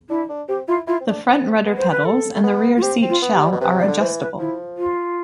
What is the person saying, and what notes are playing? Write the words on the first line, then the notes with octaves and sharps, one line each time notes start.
The front rudder pedals and the rear seat shell are adjustable.
D4 E4
D4
C4 G4
E4 F4
E4 F4
C4
D4
C4
B3
C5
B4
A4
A3
B3
F4
C4 G4
C4
F4
B3
G4
G3
B2
C3 B4
D5
D3
E3 C5
B4
F3 E4
F4